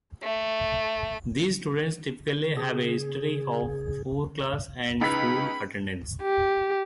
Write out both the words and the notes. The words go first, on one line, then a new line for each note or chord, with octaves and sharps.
These students typically have a history of poor class and school attendance.
A3
C#3 G#4
C#2 D#4 B4 B5 B6
G4